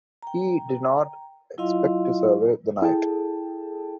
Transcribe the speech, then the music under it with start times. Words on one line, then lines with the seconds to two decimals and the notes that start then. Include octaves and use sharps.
He did not expect to survive the night.
0.23 G5 A#5
1.58 F#3 E4 F4 D#5 F5 C6
2.82 E4 G#4 A4 G5 A5